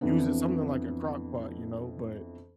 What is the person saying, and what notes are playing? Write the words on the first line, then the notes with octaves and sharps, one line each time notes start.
use it something like a crock pot, you know, but
F2 E3 B3 D4